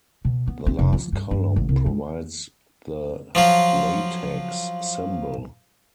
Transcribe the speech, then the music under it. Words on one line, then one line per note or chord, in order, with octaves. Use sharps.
The last column provides the LaTeX symbol.
B2
B3
C4
F1
F3
G2
G2
A1
C2
G#2
F3 F#3 F4